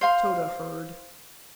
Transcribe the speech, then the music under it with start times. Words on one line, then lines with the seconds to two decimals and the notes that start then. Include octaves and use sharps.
Tode heard.
0.01 C5 F5 C6